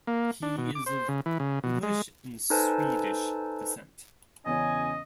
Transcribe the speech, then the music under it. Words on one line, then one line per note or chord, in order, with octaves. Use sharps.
He is of English and Swedish descent.
A#3
D4
B2
D6
C5
C#3
E3
C#3
B2
G#3
D#4 A4 B4 C5 G#5 A5
E2 C#3 C#4 D#5 G#5